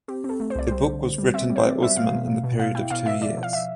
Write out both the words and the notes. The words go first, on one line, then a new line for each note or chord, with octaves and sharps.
The book was written by Usman in the period of two years.
C4 G4
C4
A4
A3
C5
C2 D5
G3 C5
D3
D3
G3
C4 E5
G3
C5
C4 D5
G3 E5
B2 F5
B2
B2
B2
B2 F5
E4 G5
B2 F5
B2 E5
F3 D5
F3
F5
E5